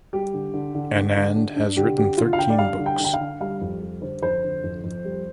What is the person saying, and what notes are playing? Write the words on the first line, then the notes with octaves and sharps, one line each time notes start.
Anand has written thirteen books.
G3 G4
D3
D3
D3
D3
D3
D4
D4
D3 G4
D3 G4
D3 F4
F5
D3 G5
D5
G3 F5
D3
G5
D3 G5
F5
D3
G3 F5
F2
G3
D3 C5
F2 C5
D3
F2
F2
G3